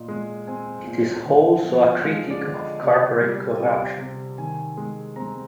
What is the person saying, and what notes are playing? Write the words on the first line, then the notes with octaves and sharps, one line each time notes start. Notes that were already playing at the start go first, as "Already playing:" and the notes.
It is also a critique of corporate corruption.
Already playing: A#2 D#5
G#3
C4 G#5
A#2
D3
F3
G#3 F5
D5
D3
D#5
C3 D5
G3
C4
C3
D#3 G#5
G#3
C4 A#5